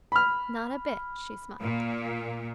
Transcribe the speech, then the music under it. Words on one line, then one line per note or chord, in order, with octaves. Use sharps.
"Not a bit," she smiled.
B5 F6
A#2